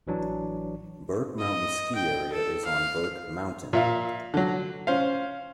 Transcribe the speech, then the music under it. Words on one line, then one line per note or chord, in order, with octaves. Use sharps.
Burke Mountain Ski Area is on Burke Mountain.
A1 E3 F#3 D4
D#5
G5
A4
F5
A#2 E5 F5
D3 F#3
C#4 C5 F5